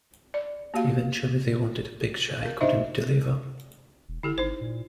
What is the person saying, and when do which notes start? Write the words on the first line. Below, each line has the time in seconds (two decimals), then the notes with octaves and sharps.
Eventually, they wanted a picture I couldn't deliver.
0.34 D5
0.74 A#3 F#4 G4 F5
2.42 A#4 F5
2.60 D4 D#4 C5 D#5 E5
4.09 E1
4.23 D3 E4 G4 A4
4.38 G#1 D#4 C5
4.61 A#2